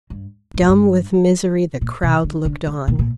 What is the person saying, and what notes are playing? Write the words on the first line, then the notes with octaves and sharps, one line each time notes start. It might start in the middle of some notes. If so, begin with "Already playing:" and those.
Dumb with misery the crowd looked on.
G2
G2
A#2
G2
A#2
C3
D3
D3
D3
A#2
A#2